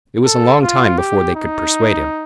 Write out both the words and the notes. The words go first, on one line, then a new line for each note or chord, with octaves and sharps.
It was a long time before they could persuade him.
A4
F4
G4
D#4